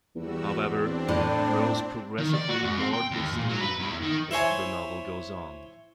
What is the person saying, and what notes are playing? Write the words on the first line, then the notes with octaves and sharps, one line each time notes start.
However, he grows progressively more disillusioned as the novel goes on.
E2 G3 F#4 E6
C4 D4
A2 D5
D#3
D5
F#4
F#2
C4
G5
D#2
A#2
F#3
B4
E2
D#3
E4 C5 C#5 G#5